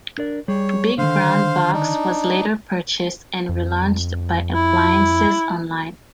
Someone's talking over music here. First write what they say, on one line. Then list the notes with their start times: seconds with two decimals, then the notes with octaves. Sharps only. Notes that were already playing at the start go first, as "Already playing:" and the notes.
Big Brown Box was later purchased and relaunched by Appliances Online.
0.18 D4 A#4 D5
0.48 G3 G#4 C#5
0.98 D3 D#3 C5 F5
1.73 D4 D#4
3.49 F2
4.53 E4